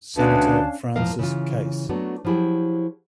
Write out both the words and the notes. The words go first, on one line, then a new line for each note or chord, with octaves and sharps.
Senator Francis Case.
D2 C#4 D4 B4 F5 A5
E2 A2 F3 G#3 A#4 F5
C#3 E3 F4
F#3 A3 B3 D4 F#4
F3 F#3 E4 G4 G#4